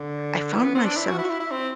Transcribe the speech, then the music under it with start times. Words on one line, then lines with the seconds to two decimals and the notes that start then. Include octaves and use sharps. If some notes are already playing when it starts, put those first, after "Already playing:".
I found myself
Already playing: D3
0.53 E3
0.64 B3
0.75 C4
0.86 D4
0.96 E4
1.08 F#4
1.19 E4
1.25 F#4
1.30 E4
1.40 E4
1.52 C4